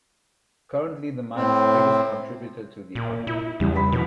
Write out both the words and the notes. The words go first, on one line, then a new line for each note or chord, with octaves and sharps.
Currently the mine is the biggest contributor to the economy.
A2 C4
A#2
E4
E2 C#3 E3 G3
D4 B5 B6
B2 E3 B4